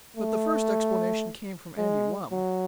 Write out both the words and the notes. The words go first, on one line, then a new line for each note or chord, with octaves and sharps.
But the first explanation came from Andy Lumm.
A3
G#3
F#3